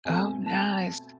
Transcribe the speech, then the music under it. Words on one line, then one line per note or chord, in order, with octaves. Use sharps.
Oh, nice.
B2 A3 C4 G#5
A5